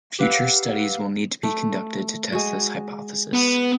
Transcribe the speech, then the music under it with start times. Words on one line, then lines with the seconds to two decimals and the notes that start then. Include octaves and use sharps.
Future studies will need to be conducted to test this hypothesis.
0.19 G4 B4 F5 F#5 E6
1.43 A3
2.33 G#3 F#4
3.33 B3